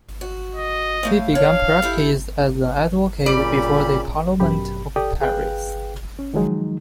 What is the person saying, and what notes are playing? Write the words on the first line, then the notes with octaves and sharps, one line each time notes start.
He began practice as an advocate before the "parlement" of Paris.
F#4
D#5
A2 A3 F5
D4 C#5 F5
E4 G4 A4
A#2 C#3 G3 G4 D5 B5
F#2 B2 G4 B5
G4 A4 D5 G5 D#6
G#4 B4 F5 G5 F#6
C#4
D#3 F3 F#3 G#3 D#4